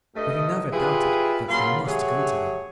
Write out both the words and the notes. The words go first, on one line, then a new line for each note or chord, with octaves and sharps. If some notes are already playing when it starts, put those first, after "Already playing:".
For he never doubted that he must go to her.
G2 A3 D#5
E4 F4 G4 G#4 B4
F#2 C#3 A#3 F4 B5 C6
F#3 A3 G4 G#4 C#5